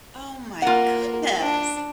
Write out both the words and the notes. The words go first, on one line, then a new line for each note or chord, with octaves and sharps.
Oh my goodness.
A#3 F4 F#5
D4